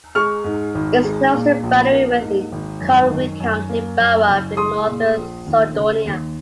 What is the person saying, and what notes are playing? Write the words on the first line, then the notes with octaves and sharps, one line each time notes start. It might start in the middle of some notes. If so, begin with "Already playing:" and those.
It is close to the boundary with Conwy county borough in northern Snowdonia.
G#3 C#6 F6
G#2
G#1
G#3
A#2
A#1
A#3
G#2
G#1
F#2
D#3
F#2
A#3
F#2
F#1
G#3 C6 D#6
A#2
A#1
D#2
C#3
D#2